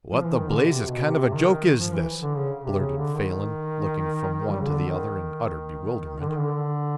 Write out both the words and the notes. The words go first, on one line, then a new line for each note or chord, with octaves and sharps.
"What the blazes kind of a joke is this?" blurted Phelan, looking from one to the other in utter bewilderment.
F3
E3
D#3
D3
B2
C3
B2
C3
D#3
F3
E3
D3
C#3
C3
C#3
D3
D#3
G3
C#3
D3
D#3
D3
D#3
D3